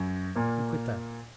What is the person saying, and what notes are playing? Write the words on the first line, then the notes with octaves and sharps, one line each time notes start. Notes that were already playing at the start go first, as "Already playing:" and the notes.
"You quit that!"
Already playing: F#2 F#3
A#2 A#3